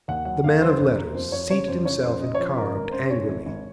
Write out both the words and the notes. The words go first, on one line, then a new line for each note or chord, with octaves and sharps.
The man of letters seated himself and carved angrily.
D#2 F#5
F#3 F#5
D#2 F5
F#3 C5
D#2 C5
D#2 A#4
F2 C5
F2 C#5
C#3 C#5
F2 C5
C#3 C#5
F2 C5
C#3 D#5
C#5
F3 C5
F#2 A#4
G#1 A#4
F#2 C5
F#2 C#5
G#1
G#1